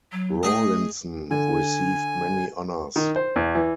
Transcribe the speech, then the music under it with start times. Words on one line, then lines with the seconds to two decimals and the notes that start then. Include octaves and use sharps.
Rawlinson received many honours.
0.12 F#3
0.43 A3 G#4 D#5
1.31 D3 G#5
2.96 D#3
3.16 C5
3.36 E2
3.55 E3